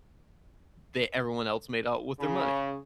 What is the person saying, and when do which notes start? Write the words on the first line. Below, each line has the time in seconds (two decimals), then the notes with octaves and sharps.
They everyone else made out with their money.
2.20 C#3